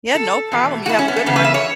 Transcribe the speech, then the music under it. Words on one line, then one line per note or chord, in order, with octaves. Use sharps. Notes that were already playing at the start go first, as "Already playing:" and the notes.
Yeah, no problem you have a good one.
A4
E2 B2
F#4
E4
C#4
B3
A3
E2 C#3 B3
B4
E5
C#5